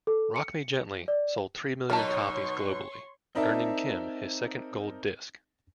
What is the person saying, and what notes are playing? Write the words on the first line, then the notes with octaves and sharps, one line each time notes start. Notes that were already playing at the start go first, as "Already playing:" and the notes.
"Rock Me Gently" sold three million copies globally, earning Kim his second gold disc.
A4
C#7
D5
B2 F#3 D#4 A#4 C#5 A5 C6 C#6
C4 D#4 A#4 D5 E5 A5